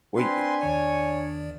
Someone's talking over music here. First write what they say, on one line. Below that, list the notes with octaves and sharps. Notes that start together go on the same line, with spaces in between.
wait it
C4 D4 B4 G#5 C6
E2 D#3 C#5 D5